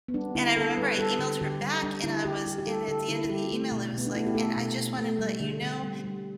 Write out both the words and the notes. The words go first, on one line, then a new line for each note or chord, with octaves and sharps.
And I remember I emailed her back, and I was and at the end of the email, it was like, "And I just wanted to let you know
B3
G3 D4
D3 E4
D3 A4
G3 B4
G3 A4
D3
D3 G4
G3
G3 D4
D3 E4
D3 G4
G3 G4
G4
G3 A4
D3 A4
D3 E4
E4
G3 G4
A3
B2
B2 B3
D4
A3 E4
G4
A3 A4
B2
B2
A3
G3
D3
D3
G3
G3